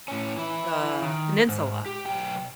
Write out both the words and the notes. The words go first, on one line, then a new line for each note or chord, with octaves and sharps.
the Peninsula
A2 C#4
E3 E4
D#3
G#2
G4
B1 G5